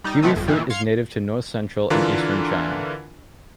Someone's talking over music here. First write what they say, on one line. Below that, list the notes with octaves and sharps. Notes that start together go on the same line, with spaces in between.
Kiwifruit is native to north-central and eastern China.
G3 D#4
C3 D#3 A3 B3 C4
G1 F2
A#2 D#3 E3
F5 C6 G#6 C7 C#7
D3 E3 D4 F4 A#4